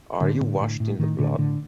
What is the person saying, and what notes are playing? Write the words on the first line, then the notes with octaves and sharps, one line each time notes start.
Are You Washed in the Blood?
A2 D3
A2
A2
A2
A2 D#3
A2 D3
A2 D3